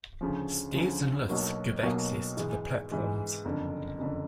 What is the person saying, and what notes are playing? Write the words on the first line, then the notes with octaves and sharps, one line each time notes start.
Stairs and lifts give access to the platforms.
D2 C#3 F3
D2 C#3 F3
B1 B2 F#3 A#3
B1 B2 F#3 A#3
G#2 E3 G#3
G#2 E3 G#3
F#1 F2 D3
F#1 F2 D3